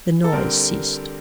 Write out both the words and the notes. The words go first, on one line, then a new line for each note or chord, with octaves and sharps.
The noise ceased.
A4
D3 G3 C4 A#4